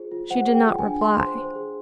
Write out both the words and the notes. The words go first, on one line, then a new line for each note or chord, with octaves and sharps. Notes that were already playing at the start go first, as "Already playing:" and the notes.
She did not reply.
Already playing: F4 G#4 C5
F4
C5 F#5
G#4
G5
F4
D4 G#5
G#4 C6
C5
C5
G#4